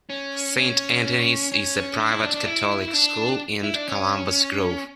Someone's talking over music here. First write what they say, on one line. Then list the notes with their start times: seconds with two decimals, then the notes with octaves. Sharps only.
Saint Anthony's is a private catholic school in Columbus Grove.
0.10 C#4
0.57 C#4
1.52 C#4
2.00 D4
2.11 E4
2.23 D4
2.34 D4
2.47 E4
2.93 D4
3.63 E4
3.75 D4
3.88 C#4